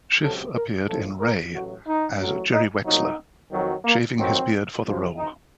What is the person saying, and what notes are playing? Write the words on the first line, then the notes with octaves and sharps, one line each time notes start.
Schiff appeared in "Ray" as Jerry Wexler, shaving his beard for the role.
C#2 C3 F#3 A4
A#4
A#1 A2 F3 A4
A#4
A1 A2 F#3 F#4
D#4
A1 A2 F#3
D#4
C2 A#2 F#3 D#4
F2 D#3 F#3
A#3
F2 D#3 F#3 C4
C#2 C3 F3
D#4